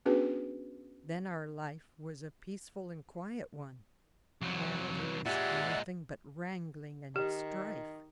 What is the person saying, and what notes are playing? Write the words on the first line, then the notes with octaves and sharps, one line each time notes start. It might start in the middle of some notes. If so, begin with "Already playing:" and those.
Then our life was a peaceful and quiet one; now there is nothing but wrangling and strife.
B3 C#4 D4 F#4 G#4 B4
C2 F2 F#3
A#2 G#3 F4 G4 D5 E5 F#5
D#5
D#3 G4